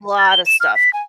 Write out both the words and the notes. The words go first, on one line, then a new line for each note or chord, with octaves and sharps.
Lotta stuff.
A6
G7
E7
F6
B6
G#5